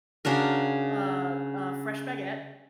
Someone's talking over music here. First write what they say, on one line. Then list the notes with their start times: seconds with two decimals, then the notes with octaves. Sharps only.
a a fresh baguette,
0.25 C#3 D4 F#4 A#4